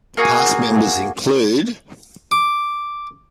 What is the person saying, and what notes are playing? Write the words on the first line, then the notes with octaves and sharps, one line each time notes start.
Past members include...
A#3 F#4 G#4 G#5
D6